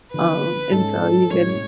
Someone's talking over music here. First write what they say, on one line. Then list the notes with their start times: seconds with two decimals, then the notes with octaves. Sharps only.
Um, and, so, even
0.13 D3 F3 B3 D4 B4
0.72 G#2 G#3 C#4 A4
1.30 A2 G#3 C#4 C#5